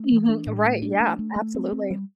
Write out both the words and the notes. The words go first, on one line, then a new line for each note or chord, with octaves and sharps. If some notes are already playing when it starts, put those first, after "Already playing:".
Mhm, uh, right, yeah, absolutely.
Already playing: A3
E3
D4
A2
A3
D4
A3
A3
A3
C4
C4
G3